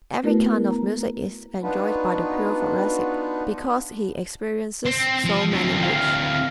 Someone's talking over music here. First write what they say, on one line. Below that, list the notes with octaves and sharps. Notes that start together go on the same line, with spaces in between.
Every kind of music is enjoyed by the pure Thoracic because he experiences so many moods.
A3 B3 E4 F#4 A#4 B4
A#5
B3 D4 D#4 F4 F#4 B4
C4
F3
D2 C4
F5